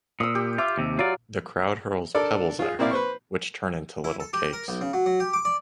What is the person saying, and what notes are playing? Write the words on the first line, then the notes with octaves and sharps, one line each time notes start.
The crowd hurls pebbles at her, which turn into little cakes.
A#2 D#6 E6
G4
F4 E5 D6
D#2 C3
F#3 F4 D5 F5
D4 A4 A#4 D5
F4 G#4
A#3 C4 E4 D5 F5
B4 C5 C#6
E4
A4
G4
A#4
B1
C#3
F#3
F#3
G4
D6
D5